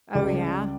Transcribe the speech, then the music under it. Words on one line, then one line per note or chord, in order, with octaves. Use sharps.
Oh, yeah?
C#2 C#3 G3 D5